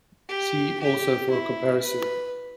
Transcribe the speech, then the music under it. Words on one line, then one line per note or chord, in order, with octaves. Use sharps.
See also for a comparison.
G4
G4
E4
B4